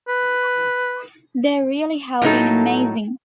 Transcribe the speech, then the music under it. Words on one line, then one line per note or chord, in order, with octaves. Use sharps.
They really have been amazing.
B4
A2 F#3 D#4 A4